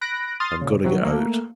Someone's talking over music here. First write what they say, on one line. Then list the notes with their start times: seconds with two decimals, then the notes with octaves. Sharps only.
"I am going to get out."
0.01 B5 F#6 A#6 D7
0.40 C6 D#6 F6 A6
0.61 A#2 C#3
0.85 C3 D#3 F#3
1.01 A3 A#3